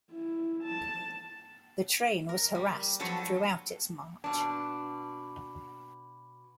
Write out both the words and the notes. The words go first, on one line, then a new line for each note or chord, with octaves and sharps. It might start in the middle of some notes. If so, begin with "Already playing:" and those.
The train was harassed throughout its march.
E4
A5
A#4
G3
F3 F#3 A4 B4 C#5
B2 D4